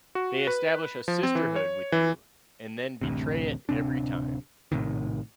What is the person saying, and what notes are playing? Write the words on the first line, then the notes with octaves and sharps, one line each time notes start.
They establish a sisterhood with you and then betray it every time.
F#4
B4
F3
C4
E3
C#5
E3
A1 D2 C3
D1 C3 C4 D4
A#1 A2 C3 D#3